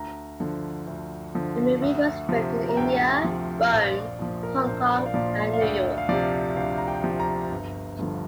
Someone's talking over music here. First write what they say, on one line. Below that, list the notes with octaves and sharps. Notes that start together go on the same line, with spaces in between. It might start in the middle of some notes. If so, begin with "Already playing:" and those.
The movie was filmed in India, Rome, Hong Kong, and New York.
Already playing: D2 A#5
D3 F3
D2
D3 F3
D2
C3 F3
A#5
D2 G5
C3 F3
A#1 F5
D5
A#2 F3
A#4
A#1 C5
D5
F5
A#2 F3 D5
F5
F5
D2 D5
F5
C3 F3 D5
D2 F5
A#5
G5
C3 F3
A#5
G1
G2 D3 F3